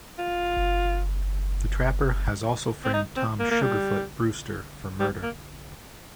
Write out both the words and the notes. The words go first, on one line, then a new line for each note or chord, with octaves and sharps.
The trapper has also framed Tom "Sugarfoot" Brewster for murder.
F4
C4
D#4
C4
A#3
A#3
G3
G3
A#3